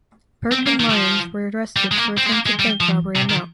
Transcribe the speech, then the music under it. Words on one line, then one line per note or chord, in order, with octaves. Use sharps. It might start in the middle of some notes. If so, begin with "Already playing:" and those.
Burke and Lyons were arrested for attempted bank robbery in Mt.
C4
A#3
D#3
G3
F3
G3
G#3
A#3
C4
G#3
A#3
G#3
G3
F3
C3
D#3